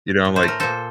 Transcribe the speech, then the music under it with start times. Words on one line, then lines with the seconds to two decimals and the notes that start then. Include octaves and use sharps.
you know, I'm like,
0.25 A2
0.36 C5
0.43 A3
0.48 A#4
0.60 A#2 A4 C5